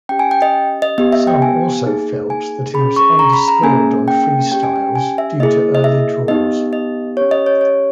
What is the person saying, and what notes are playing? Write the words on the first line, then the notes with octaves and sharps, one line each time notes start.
Some also felt that he was underscored on freestyles due to early draws.
C#4 G4 G5
G#5
G5
D#5
D#5
B3 G4 D#5
E5
G5
G#5
A#3 D#4 G#4
G#5
C#4 G#4 B5
C#6
A#5
B5
A#5
A#3 C#4 G#4 G#5
G5
C#4 G4 G5
G#5
G5
G#5
E5
A#3 E4 G#4 D#5
D#5
E5
B3 D#4 G4 D#5
D#5
C#4 G4 C#5
D#5
C#5
C#5